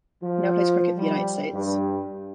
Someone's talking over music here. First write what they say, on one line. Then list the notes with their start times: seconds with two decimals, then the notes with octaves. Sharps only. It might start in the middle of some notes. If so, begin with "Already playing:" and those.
He now plays cricket for United States.
0.21 F3
0.97 G3
1.52 G2